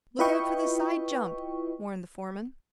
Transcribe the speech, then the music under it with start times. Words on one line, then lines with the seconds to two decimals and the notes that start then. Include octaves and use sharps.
"Look out for the side jump!" warned the foreman.
0.19 E4 F4 B4 D#5 G5 C#6